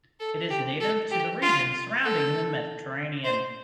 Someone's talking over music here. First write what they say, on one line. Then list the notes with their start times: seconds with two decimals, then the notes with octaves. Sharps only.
It is native to the regions surrounding the Mediterranean.
0.20 A4
0.50 G4
0.80 A4
1.11 G4
1.41 F4
2.02 A4
3.24 C5